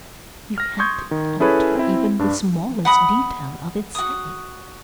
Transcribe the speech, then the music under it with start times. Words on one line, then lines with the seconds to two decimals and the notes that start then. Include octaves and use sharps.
You can't alter even the smallest detail of its setting.
0.58 F6 A#6
0.79 C6 C#6 D#6 G6 G#6
1.11 D#3
1.40 C#4 E4 G#4 A4 B4 C#5
1.75 C4 E4
2.19 G2 D4
2.85 F#5 B5 D#6
3.95 F#4 D#6